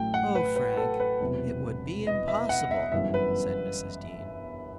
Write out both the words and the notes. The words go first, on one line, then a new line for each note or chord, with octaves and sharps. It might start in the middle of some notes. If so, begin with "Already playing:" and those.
"Oh, Frank, it would be impossible!" said Mrs. Dean.
Already playing: A1 A2 F#3 A3 G5
F#5
B4
B4
A4
B4
E1 E2 C3 F#3
D#5
E5
F#5
E5
G1 F#2 E3 G3 E5
B4